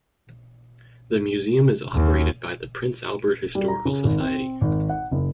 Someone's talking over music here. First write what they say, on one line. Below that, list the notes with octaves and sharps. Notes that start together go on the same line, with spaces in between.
The museum is operated by the Prince Albert Historical Society.
D#2
G3
A#5
C#3
G#1
C4
G#1
F#5
F#1